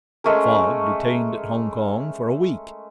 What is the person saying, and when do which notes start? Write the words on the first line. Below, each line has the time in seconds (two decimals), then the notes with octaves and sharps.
Fogg detained at Hong Kong for a week!
0.24 G#3 A3 C#4 A#4